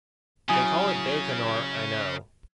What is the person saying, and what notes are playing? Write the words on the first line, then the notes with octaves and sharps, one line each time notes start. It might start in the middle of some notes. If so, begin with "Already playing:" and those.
They call it Baykonur, I know.
C#3 F#3 E4 G#5 D#6 G#6